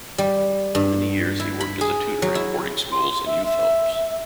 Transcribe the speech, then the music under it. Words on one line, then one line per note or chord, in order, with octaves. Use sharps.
For many years he worked as a tutor in boarding schools and youth homes.
G3
G2
E4
B5
G#4
F#3
E4
C6
E5
E5